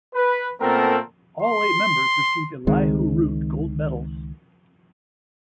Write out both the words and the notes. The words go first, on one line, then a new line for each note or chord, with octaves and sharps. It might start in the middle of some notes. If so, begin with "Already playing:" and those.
All eight members receive Elihu Root gold medals.
B4
A#2 A3 B3 C4 A4 A#4
C6
C#2 D#3 G#3 C4